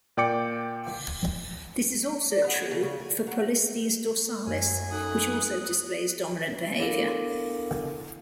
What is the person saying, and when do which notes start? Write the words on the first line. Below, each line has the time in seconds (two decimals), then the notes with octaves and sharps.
This is also true for "Polistes dorsalis", which also displays dominant behavior.
0.17 A#2 D5 G5 D6 C#7
2.31 D5
2.44 B3
2.56 G#5
2.71 C#3
2.82 C#3
3.00 G#5
3.27 F#3
4.47 F#2 G#5
4.91 D#4 A4 D#6 F#6
6.78 B3 D4 E4 A4 A#4 F5